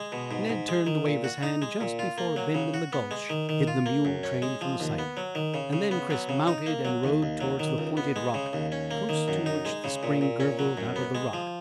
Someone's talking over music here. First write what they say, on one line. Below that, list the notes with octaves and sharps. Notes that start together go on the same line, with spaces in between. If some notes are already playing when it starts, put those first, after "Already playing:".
Ned turned to wave his hand just before a bend in the gulch hid the mule-train from sight, and then Chris mounted and rode towards the pointed rock close to which the spring gurgled out of the rock.
Already playing: G#3
B2
G#2
G#2
G#3
D#3
A#2
F#4
D#4
G#3
A#2
F4
A#3
F#3
C#3
F#4
B3
G#3
D#3
D#3
F4
A#3
F#2
C#4
G#3
F3
D#2
B3
F#3
D#3
C#3
C#3
B3
F#3
C#3
D#4
A#3
F#3
D#2
D#2
F#3
D#3
C#2
B3
G#3
C#3
D#2
C#4
A#3
D#3
F#2
D#4
G#3
C#3
A#2
A#2
C#4
F#3
F#2
B3
G#3
F3